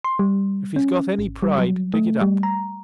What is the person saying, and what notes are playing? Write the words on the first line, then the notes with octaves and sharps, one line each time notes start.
If he's got any pride, dig it up.
C6
G3
C#4
G#1
G3
F#3
A3
G3
A#5